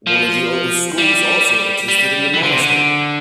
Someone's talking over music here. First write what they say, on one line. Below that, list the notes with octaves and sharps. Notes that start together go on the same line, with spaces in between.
One of the oldest schools also existed in the monastery.
F3
G3
G3
E3
D3
C3
D3